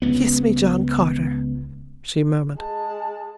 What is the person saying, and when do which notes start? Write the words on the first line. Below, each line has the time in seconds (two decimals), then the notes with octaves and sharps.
"Kiss me, John Carter," she murmured.
0.02 C#2 B3
2.56 G#3 A5